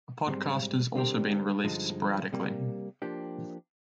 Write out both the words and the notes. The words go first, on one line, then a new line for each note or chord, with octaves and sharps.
A podcast has also been released sporadically.
G#2 G3 C4
D3 G3 C4 G4 A#4
G2 D3 F3 G#3 D#4
C3 G3 A#3
F3 A#3 D4 G4